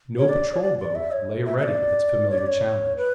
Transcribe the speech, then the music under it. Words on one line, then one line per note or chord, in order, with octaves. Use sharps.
No patrol boat lay ready with its familiar challenge.
C#5
D5
C#5
D5
D5
E5
C#5
E5
E5
D5
C#5
D5
C#5
B4